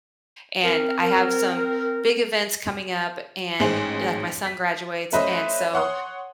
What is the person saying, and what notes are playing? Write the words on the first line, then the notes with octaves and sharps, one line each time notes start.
and I have some big events coming up, and, like, my son graduates, and so,
C4 A#4
A1 G#2 G#3 G#4 C5 F#7
B6
A3 C#4 B4 C5 D#5 E5
C#5 F#5 C6 D#6